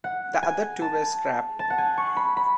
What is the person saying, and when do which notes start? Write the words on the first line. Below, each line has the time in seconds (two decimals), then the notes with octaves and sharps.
The other two were scrapped.
0.04 F#5
0.43 G#5
0.82 A5
1.59 A5
1.70 F#5
1.78 G#5
1.98 C#6
2.17 B5
2.37 B5